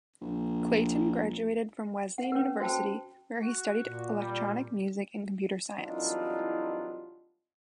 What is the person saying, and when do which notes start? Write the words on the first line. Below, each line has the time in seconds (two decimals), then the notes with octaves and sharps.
Clayton graduated from Wesleyan University, where he studied electronic music and computer science.
0.21 A#1
2.18 F#5
2.32 C#4 B4
2.60 F#4 C5 G5 A5
3.42 F#4
3.81 A#2
4.19 G3
5.82 C2 E3 F#3 D4 D#4 F4